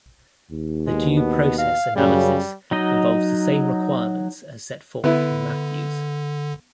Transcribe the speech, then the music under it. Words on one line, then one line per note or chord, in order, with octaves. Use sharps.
The due process analysis involves the same requirements as set forth in Matthews.
D#2
B2 G#3
B3
F5
F#2 C#3 G3
F#3 D#4 D#5
D3 B3 E4